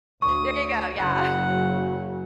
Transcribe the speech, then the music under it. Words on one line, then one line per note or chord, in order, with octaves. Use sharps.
There you go, yeah.
D2 C#6 D#6
F#1 C#3 F#3 F#5